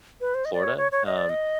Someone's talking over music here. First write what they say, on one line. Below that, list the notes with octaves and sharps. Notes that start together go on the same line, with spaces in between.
Florida, um,
B4
C5
D#5
D5
C#5
C#5
C#5
D#5
D5
D#5